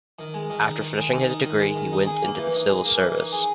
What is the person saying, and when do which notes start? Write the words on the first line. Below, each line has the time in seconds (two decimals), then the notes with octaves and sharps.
After finishing his Degree, he went into the civil service.
0.19 D#3
0.34 G#3
0.50 D#3
0.66 D#4
0.82 D#3
0.97 G#3
1.13 D#3
1.28 D#4
1.44 D#3
1.60 G#3
1.76 D#3
1.92 D#4
2.06 G#4
2.23 A#3
2.38 E3
2.53 D#4
2.70 G#4
2.85 A#3
3.01 E3
3.16 D#4
3.32 G#4